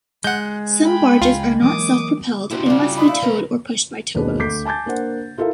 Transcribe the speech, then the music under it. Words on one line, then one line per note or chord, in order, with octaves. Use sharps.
Some barges are not self-propelled and must be towed or pushed by towboats.
G#3 F#5 G6
G5 B5
C#2 F4
E3 F#3 A#3 D6 D#6
D4 E4 F#4 G4 C5
G2 C#3 E4 D5 F#5
F4 F#4 G5
F#4 D#5 B5 D#6
A3 E4 D5 F5
C2 D#3 A#4 B4
G#1 D#2 B2 D4 G#4 B4
D2 D6 G6 B6 C7
G#5 A5 D6 G6 A6
A#3 D4 C5 F#5
E4 F4 A4 A#4 E5 F5